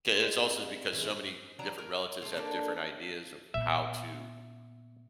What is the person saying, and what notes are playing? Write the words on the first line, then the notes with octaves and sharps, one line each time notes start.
and it's also because so many different relatives have different ideas of how to
G#2 G#3 G#5
G3 C4 D#4 E4
G#2 B2 E3 C#4 E4
E3 F#3 D4 A#5
A#4
G#3 A3
A#3 D4 A4
A#2 B3 E5